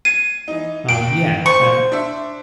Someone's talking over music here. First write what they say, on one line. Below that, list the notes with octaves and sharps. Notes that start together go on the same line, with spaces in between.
Um, yeah, eh,
G#6 C7 D#7
E3 D#4
D#2 G5 D7 F#7
C5 C#6
D4 E5